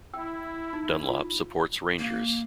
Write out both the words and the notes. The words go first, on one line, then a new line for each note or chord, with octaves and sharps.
Dunlop supports Rangers.
E4 G5 E6
D#4
F4
A#3